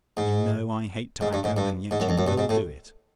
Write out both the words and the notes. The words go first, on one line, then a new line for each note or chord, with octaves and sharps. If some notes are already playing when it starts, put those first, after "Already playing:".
You know I hate tobacco, and yet you will do it.
G#2
G#2
G2
G#2
G2
G#2
F#2
F2
F#2
G2
G#2
A2